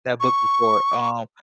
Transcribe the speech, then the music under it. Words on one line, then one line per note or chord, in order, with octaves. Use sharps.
that book before, um
C#6